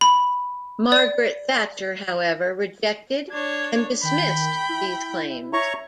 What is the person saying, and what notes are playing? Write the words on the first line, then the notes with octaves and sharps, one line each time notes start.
Margaret Thatcher however, rejected and dismissed these claims.
B5
D5
D4 C#5 G#6
D#3 G5 B5
E4
C#5 E5 A#5 C#6